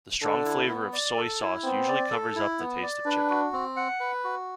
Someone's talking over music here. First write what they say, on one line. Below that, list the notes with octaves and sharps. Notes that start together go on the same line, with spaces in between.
The strong flavour of soy sauce usually covers up the taste of chicken.
D3 A4
E4
B3
D5
A4
E4
B3 C4
D5
A4
E4
B3
D5
D4 B4
F#4
C4
F#5
B4
F#4